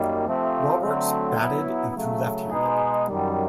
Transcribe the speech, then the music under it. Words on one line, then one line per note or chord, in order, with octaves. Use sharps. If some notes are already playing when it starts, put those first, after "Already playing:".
Roberts batted and threw left-handed.
Already playing: F#2 D#3 G3 A#3
C3 F3 A3 C4
D3 F#3 A3 C4
F#3 B3 E4
C#3 F#3 A3
B2 G#3 B3 D#4 G#4
F#2 D#3 G3